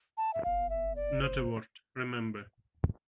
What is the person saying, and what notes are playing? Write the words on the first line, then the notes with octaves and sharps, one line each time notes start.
Not a word, remember!
A5
E5
F5
E5
D5
C5